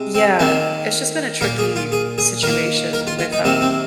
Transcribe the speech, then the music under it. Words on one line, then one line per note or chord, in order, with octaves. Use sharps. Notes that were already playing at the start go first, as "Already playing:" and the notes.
Yeah, it's just been a tricky situation with, um,
Already playing: C3 G#3
C4
D#3 A#3 C4
A#2 A#3 A#4
G#4
F4
G#4
G#4
D#3 A#3 A#4
A#4
F4
F4
D#4
C3 D#3 A#3 C4
C4